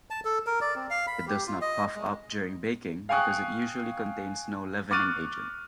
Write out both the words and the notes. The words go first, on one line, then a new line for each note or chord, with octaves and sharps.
It does not puff up during baking because it usually contains no leavening agent.
A5
A4
A#4
D5
C4
F5
B5
G4
F4
D#5
G#3
F5 G5 G#5 C#6 D#6 F#6
C#6 D6 F6 F#6 A6 D#7